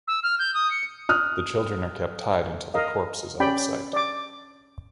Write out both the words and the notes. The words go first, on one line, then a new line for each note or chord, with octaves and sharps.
The children are kept tied until the corpse is out of sight.
E6
F6
G6
D#6
C#7
D#6 F6 F#6
A#4 D#5 F5
C#4 G4 D5 G5 B5
D5 D6